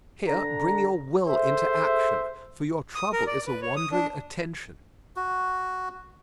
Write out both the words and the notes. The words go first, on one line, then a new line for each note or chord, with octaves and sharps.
Here bring your will into action, for your trouble is a wandering attention.
D3 D4 A#5
G#4 A4 C5 E5
D#6
A#4
D5
B4
C#5
D#6
D4
F#4